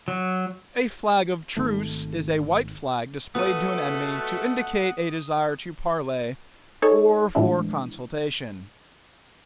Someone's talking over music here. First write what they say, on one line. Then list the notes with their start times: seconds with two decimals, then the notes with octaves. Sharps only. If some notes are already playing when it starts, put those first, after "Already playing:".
A "flag of truce" is a white flag displayed to an enemy to indicate a desire to parley or for consultation.
0.08 F#3
1.57 G#1 D#3 A3
3.35 B2 A3 B3 F4 F#4 F#5 D#6 D#7
6.82 D#4 G#4 A4 C#5
7.35 A2 E3 F3 G#3 D4 E4